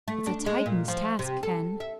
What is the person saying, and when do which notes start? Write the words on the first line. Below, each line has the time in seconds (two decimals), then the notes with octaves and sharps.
"It's a Titan's task, Ken."
0.08 A3
0.27 D4
0.46 G#3
0.66 A#2
0.88 F3
1.19 C3
1.43 A4
1.80 E5